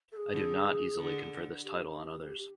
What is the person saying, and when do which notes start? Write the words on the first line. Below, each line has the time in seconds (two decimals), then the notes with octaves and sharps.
I do not easily confer this title on others.
0.12 A4
0.16 G#4
0.33 D3
0.99 D3
1.64 G4